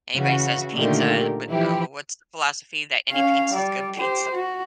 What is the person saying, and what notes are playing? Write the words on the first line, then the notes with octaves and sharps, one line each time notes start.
anybody says "pizza," but, uh, w what's the philosophy that any pizza is good pizza?
C#3 E3 F#4
A#2 D3 D#3 A3 G4 A#4
E3 F3 E4 G4
C#4 F5
G3 D5
G4 C5
F#4